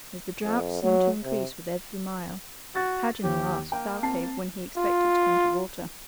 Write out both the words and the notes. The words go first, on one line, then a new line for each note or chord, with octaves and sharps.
As the drought seemed to increase with every mile, Paganel asked Thalcave when he expected to come to water.
F2
F#3
C3
F#4 A6
D#2 G4
A#3 G5
C4 A5 C7
F4